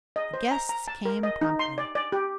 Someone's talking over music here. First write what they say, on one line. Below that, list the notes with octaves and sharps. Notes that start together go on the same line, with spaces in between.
The guests came promptly.
D#5
C5
A#5
A#5
A5
A#4
D#5
D#4
C6
D5
D5
G4